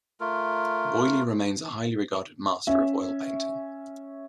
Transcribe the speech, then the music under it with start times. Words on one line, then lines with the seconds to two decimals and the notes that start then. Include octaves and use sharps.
Boilly remains a highly regarded master of oil painting.
0.20 A3 F4 A#4
2.67 C#4 E5